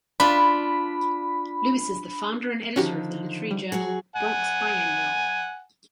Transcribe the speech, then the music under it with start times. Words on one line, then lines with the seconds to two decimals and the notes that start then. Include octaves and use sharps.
Lewis is the founder and editor of the literary journal "Bronx Biannual".
0.20 D4 F4 B5
2.76 D3 D#3 F3 C#4 F#4 G4
3.51 G3
3.72 F#3 F#4 G#4
4.16 F#5 G#5